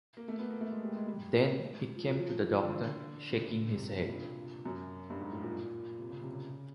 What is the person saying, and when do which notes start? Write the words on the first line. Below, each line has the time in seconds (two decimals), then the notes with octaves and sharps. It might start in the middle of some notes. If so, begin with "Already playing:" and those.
Then he came to the Doctor, shaking his head.
0.17 A#3
0.28 A3
0.39 B3
0.51 A#3
0.61 A3
0.72 G#3
0.83 G3
0.95 G#3
1.07 G3
1.96 F3
2.07 F#3
2.19 F3
2.40 E3
2.63 D3
3.30 C#3
3.76 C3
3.86 B2
3.98 A#2
4.09 G2
4.66 F#2
5.10 G2
5.20 G#2
5.32 A2
5.43 A#2
5.99 C3
6.10 C#3
6.22 C3
6.33 C#3